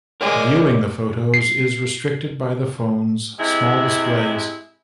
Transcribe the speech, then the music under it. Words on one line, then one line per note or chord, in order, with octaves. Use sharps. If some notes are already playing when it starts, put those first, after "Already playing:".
Viewing the photos is restricted by the phones' small displays.
G#3 A#4 C#5 D5
C7
C3 G#3 E4